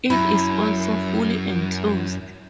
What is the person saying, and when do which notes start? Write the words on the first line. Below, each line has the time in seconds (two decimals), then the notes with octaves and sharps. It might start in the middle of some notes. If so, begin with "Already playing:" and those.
It is also fully enclosed.
0.10 F#2 E4